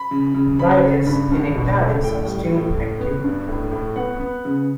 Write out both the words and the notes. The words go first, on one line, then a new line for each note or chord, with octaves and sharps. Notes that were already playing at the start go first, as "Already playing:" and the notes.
Riders in italics are still active.
Already playing: B5
C#3
C#3
C#3 B5
C#3
G2 B5
G2
B2
A3
A2 G5
G3
A2
A2
B3
G2
A2
A2
B3 F#5
B3
C#3